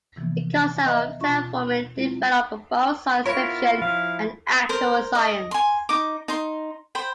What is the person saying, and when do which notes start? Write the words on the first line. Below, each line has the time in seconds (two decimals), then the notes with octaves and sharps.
The concept of terraforming developed from both science fiction and actual science.
0.16 C3 E3 F3 A#3 B3
0.84 B3 B4 D#5 E5 A#5 A6
1.20 B2 C#4 F4 C#6
1.97 F#3 G#3 C4 E4 F4
3.26 B3 E4 F4 A#4 C#5
3.82 F3 E4 F5
4.69 A#4 C5
5.15 D#5
5.51 G#5 C6
5.89 D#4 D6
6.28 D#4 C6
6.95 C5 G5 B5